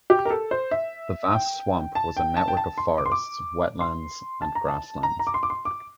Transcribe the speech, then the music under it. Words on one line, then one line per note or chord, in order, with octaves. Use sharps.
The vast Swamp was a network of forests, wetlands, and grasslands.
G4
A#4
A4
C5
E5
G5
A5
G5
A5
G5
A5
C6
D6
C6
D6
C6
A5
A#5
A5
A#5
A#5
D6
C6
D6
C6
D6